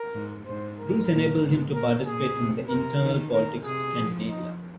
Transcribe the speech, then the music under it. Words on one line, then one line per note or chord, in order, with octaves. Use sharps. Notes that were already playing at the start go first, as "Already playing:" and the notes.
These enabled him to participate in the internal politics of Scandinavia.
Already playing: A#4
G#2
G#2 C5
A#4
A#2
G#2
A#2 A#4
A#2 G#4
C3
C3 A#4
D#3
D#3 A#4
C3 G#4
F3
D#4